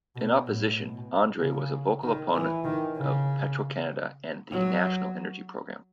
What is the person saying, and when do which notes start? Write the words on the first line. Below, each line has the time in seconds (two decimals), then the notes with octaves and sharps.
In opposition, Andre was a vocal opponent of Petro-Canada and the National Energy Program.
0.16 B2
0.47 A2
0.78 B2
1.41 C#3
2.03 D#3
2.34 E3
2.65 D#3
2.96 C#3
4.52 F#3